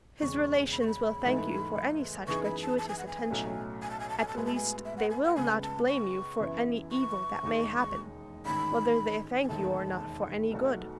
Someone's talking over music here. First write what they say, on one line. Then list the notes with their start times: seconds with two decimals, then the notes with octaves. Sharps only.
His relations will thank you for any such gratuitous attention: at least they will not blame you for any evil that may happen, whether they thank you or not for any good.
0.21 E1 E2 C#3 C#6
0.72 B5
0.81 C#6
0.87 B5
1.24 G#2 E3 A3 D#4
2.28 F#2 E3 B3 D#4 G#4 C#6
2.44 B5
2.62 A5
2.78 A5
2.89 G#5
2.98 F#5
3.07 G#5
3.30 B1 A2 F#3 A3 C#4
3.82 G#5
3.91 A5
4.00 G#5
4.10 A5
4.18 G#5
4.28 A5
4.34 A2 G#3 B3 F#4 G#5
4.46 A5
4.55 G#5
4.85 E5
4.97 F#5
5.10 G#5
5.24 F#5
5.36 C#2 C#3 G#3 B3 G#5
5.63 A5
5.88 C#6
6.40 F#2 E3 B3 E4
6.91 C#6
7.43 E1 D#2 D#3 G#3 D#4
8.45 A1 G#2 D#3 B5
9.43 G#5
9.49 E1 D#2 D#3 A3 A5
10.51 B1 B2 A3 D#4 F#4